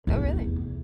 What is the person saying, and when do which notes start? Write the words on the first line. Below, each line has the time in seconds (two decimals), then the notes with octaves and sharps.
Oh, really?
0.07 F1 E2